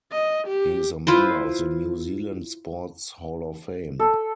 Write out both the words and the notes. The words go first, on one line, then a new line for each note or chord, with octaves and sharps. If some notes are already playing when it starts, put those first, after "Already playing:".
He is a member of the New Zealand Sports Hall of Fame.
D#5
G4
E4 F4 B4 C5
A4